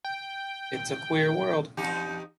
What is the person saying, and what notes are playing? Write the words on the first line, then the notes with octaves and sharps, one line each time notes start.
It’s a queer world.
G5
E2 D#4 G4